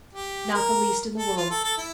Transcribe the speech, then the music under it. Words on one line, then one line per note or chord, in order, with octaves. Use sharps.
"Not the least in the world."
G4
A#4
A4
F4
A4
A4
E4